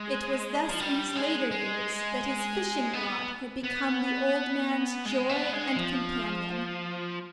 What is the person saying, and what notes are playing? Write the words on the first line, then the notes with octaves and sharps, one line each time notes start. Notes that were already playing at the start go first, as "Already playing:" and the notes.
It was thus in his later years that his fishing rod had become the old man's joy and companion.
Already playing: G#3
F3
G3
G#3
G#3
B3
B3
G#3
B3
G#3
F3